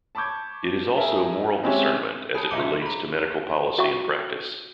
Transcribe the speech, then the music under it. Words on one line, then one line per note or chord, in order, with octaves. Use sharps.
It is also moral discernment as it relates to medical policy and practice.
A5 B5 C#6 D6 G6 G#6
G#4 A#4 E5 A5 A#5
G#3 C4 C#4 G4 C#5 E5
G#4 A5 B5
B1 E5 A#5 D6 C#7
G#4 A#5 B5
F#4 E5 G5 C#6